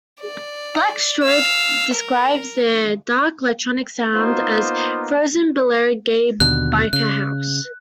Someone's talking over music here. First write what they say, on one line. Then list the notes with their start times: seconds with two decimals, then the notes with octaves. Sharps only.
Black Strobe describe their dark electronic sound as "frozen balearic gay biker house".
0.21 D5
1.23 F5 E6
1.93 A#4
4.14 A#3 B3 D#4 F4 C5
6.40 D#2 B2 D3 F#6
6.93 C#3 F#6